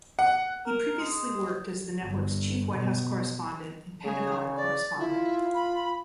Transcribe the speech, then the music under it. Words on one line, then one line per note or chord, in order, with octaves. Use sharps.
He previously worked as the network's Chief White House Correspondent and Pentagon correspondent.
F#5
A#4
G#3
G1
B2
C#3 G#4
D5
E4 F4
B5